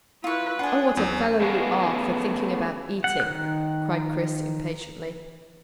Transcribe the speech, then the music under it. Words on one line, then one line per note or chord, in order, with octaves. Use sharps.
"Oh, what a fellow you are for thinking about eating!" cried Chris impatiently.
E4 F4 B4 C#6
D4 G#4 F#5 G#5 C6
E2 F#3
A3 B3 C#4 G#4 B4 F5
F#5
D#3 F#6